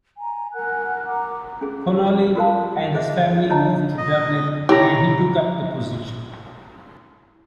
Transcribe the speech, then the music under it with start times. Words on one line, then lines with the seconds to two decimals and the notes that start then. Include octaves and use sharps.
Connolly and his family moved to Dublin, where he took up the position.
0.17 G#5 A#5
0.54 A#4 F#5 G#5 F#6
1.06 F#5 A#5 D6
1.61 C#4 G#4
2.35 F4 F#4 A#4 C5 F5 A5
2.94 G#4 C5 D#5 E5
3.50 C#5 D#5 A5 A#5
3.98 D#5
4.69 E4 G4 C#5 A#5